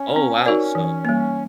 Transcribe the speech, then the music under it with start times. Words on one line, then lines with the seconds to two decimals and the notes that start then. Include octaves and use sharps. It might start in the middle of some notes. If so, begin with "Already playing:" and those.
Oh, wow, so
Already playing: C#4
0.16 C4
0.46 D#4 F#4 A#4 D5
0.75 E3
1.05 G3 A#3